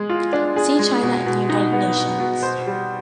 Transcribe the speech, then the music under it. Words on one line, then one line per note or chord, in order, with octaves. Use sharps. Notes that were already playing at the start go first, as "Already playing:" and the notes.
See China and the United Nations.
Already playing: G#3 G#4
F4
D4
G#4
G#3
B2
B2
D#4
B3
B2
B2
C5
G3